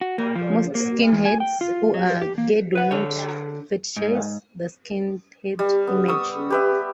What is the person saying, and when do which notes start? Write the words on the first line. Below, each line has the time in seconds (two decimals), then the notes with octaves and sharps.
Most skinheads who are gay do not fetishize the skinhead image.
0.01 F#4
0.18 A#3
0.35 F3
0.75 A#3
1.13 E2
1.25 G#5
1.40 G5
1.61 F4
1.94 F#3
2.22 G4
2.38 A#3
2.75 B4 F#5
2.91 D3 A4 C#5
3.96 G#2
5.59 G3
5.87 B3
6.08 C#6 D#6 E6
6.50 G4 B4 E5